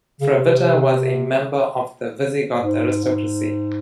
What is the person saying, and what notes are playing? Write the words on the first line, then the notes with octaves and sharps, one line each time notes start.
Fravitta was a member of the Visigoth aristocracy.
C#3
C3
G#2
G#2